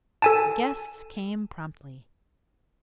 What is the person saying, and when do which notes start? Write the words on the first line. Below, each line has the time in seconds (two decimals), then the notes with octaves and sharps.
The guests came promptly.
0.22 A4 G#5 A5